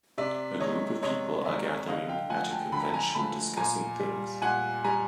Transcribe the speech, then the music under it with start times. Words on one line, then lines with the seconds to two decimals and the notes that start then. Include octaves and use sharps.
A group of people are gathering at a convention discussing things.
0.18 C3 D5 E5
0.60 D#3 G#3 C#5 D#5
1.03 C3 C#5 D#5
1.45 D#3 G#3 D5 E5
1.87 D3 D#5 F5
2.09 F5 G5
2.30 F3 A3 F#5 G#5
2.51 G5 A5
2.72 D3 B5
2.79 A#5
2.87 A5
2.93 G#5 A#5
3.14 F3 A3 A5 B5
3.57 A#2 G#5 A#5
3.99 G3
4.42 A#2 F#5 G#5
4.84 G3 G#5 A#5